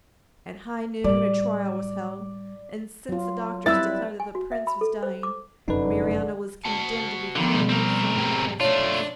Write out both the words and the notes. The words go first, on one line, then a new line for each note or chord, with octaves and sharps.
At high noon, a trial was held, and since the doctors declared that the Prince was dying, Marianna was condemned to be thrown from the precipice.
A2 G3 D5
F#3 F4
G3 C4 E4 B4 E6 A6
G#5
F#4
E5
B5
A4
C5
D6
F1 F#2 D3 D#4 B4
F#4 F#5 A5
D3 D#3 F3 B3
B2 G3
C4 A#4
G#2 G4 G#4
A3 D4 F4 C#5